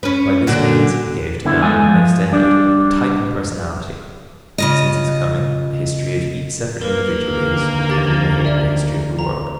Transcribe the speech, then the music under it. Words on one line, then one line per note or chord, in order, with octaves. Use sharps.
By this means he gave to man an extended, a Titan personality. Since his coming the history of each separate individual is, or can be made, the history of the world.
C#4 B4
A#2 D3 F#4
D3 B3 E4
E2 G#3 A3 G#5
F3
G3 D4 D5
C#3 F4 D#5
A#3 A#4 B4
D2 D#3
G4 A6
D5 E5
A#5